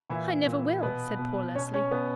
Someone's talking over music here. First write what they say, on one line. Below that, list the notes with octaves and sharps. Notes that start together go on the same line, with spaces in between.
"I never will," said poor Leslie.
A#2 E3 E4
A#2
B2 B3 B4
B2
B2 C#4 C#5
C#4 C#5
B2 B3 B4